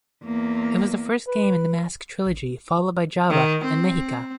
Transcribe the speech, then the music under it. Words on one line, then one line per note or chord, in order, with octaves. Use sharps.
It was the first game in the Mask Trilogy, followed by "Java" and "Mexica".
E2 A#3
B4
D#3
C4